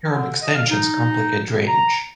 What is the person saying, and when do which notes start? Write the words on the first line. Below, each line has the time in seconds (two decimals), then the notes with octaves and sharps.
Curb extensions complicate drainage.
0.11 D3
0.42 D#5
0.56 F5
0.70 D#4
1.68 A#5